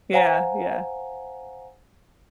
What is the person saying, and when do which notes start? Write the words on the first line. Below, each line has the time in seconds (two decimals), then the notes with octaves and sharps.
Yeah, yeah.
0.13 C5 F5 F#5 G#5 A#5